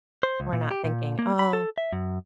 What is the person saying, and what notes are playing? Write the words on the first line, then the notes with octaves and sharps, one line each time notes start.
we're not thinking, "Oh,
C5
C#2
A#2
G4
A#2
A#3
B5
A4
E5
F#2